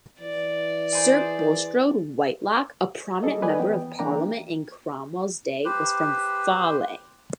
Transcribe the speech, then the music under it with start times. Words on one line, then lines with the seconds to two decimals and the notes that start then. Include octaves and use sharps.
Sir Bulstrode Whitelocke, a prominent Member of Parliament in Cromwell's day, was from Fawley.
0.21 E3 D5
0.93 G#4 C5
3.23 G3 A#3 G#4 A4 D#5
3.42 B4 D5 D#5 G#5
3.59 E3 B3 G5
3.99 E3 A#3 D4 G5 A#5
5.65 G4 B4 C5